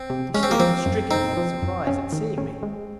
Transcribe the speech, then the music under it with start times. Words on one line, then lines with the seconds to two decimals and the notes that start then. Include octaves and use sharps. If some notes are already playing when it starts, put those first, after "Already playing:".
He stood stricken with surprise at seeing me.
Already playing: C4
0.10 C3
0.34 G#3 C#4
0.43 C4
0.51 A#3
0.60 F3 C4
0.86 F#2
1.11 C4 D#4
1.37 F3
1.62 F#2
1.87 C#4
2.13 D#3
2.38 C#4
2.63 G#3